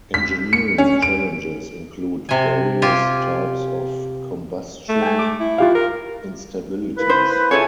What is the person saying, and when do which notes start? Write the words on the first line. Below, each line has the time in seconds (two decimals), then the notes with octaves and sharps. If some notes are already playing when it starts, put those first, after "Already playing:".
Engineering challenges include various types of combustion instabilities.
0.14 B6
0.53 C#7
0.78 C#4
1.02 D7
2.29 C3 G#5
2.82 F4 G4 G#5
4.89 A3
5.02 G5 G#5
5.19 D6
5.40 E4
5.58 F4 G4 F5
5.75 A#4
6.97 A#3 E4 B4
7.10 C5
7.51 C#3 E4 F4 A4 C#5 G#5